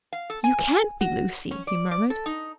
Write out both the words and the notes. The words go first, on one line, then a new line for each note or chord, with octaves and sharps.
"You can't be Lucy!" he murmured.
F5
A4
G#5
F#4
C#4
D5
D5
A4
D#4